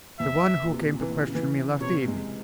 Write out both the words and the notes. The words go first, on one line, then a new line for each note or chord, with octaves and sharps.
"The one who came to question me last evening."
E2 E5
A#2
C3
E3
C#3
E3
C#3
C3 C#5
G#3